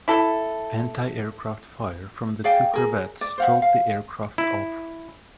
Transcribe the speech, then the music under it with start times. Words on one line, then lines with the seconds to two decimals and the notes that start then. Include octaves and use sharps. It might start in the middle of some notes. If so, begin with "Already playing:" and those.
Anti-aircraft fire from the two corvettes drove the aircraft off.
0.08 E4 A4
2.44 G#4 D5 F5 G5
2.74 G#4 A#4
3.21 D5
3.38 C5 F5 F#5
3.62 F5
4.38 E4